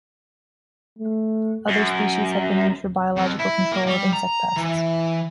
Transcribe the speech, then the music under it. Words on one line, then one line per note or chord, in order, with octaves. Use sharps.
Other species have been used for biological control of insect pests.
A3
F#2
F2
E4
A#3
G3
A#5
E3